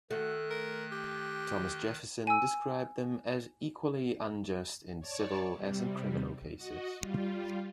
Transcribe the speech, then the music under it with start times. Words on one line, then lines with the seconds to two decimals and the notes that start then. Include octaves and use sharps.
Thomas Jefferson described them as "equally unjust in civil as in criminal cases".
0.11 D#3 A3 F#4 F#6
0.50 A#4
0.92 G4
2.27 G#5 E6
5.00 C#5 D5 A5 C#6
5.52 C3 G3
6.57 F#4 D#5
6.98 G3 F4